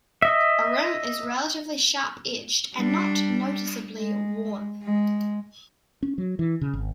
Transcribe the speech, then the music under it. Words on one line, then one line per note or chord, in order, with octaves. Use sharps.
The rim is relatively sharp-edged and not noticeably worn.
D#5 E5
G3 D4
G#3
G#3
C#4
F#3
E3
C#3
G#1